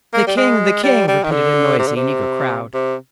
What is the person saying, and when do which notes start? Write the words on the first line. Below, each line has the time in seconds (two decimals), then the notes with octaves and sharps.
"The king! the king!" repeated a noisy and eager crowd.
0.13 A#3
0.27 G3
0.37 G#3
0.83 G3
1.08 G3
1.24 D#3
1.31 D3
1.79 C3
1.87 D3
1.96 C3
2.74 C3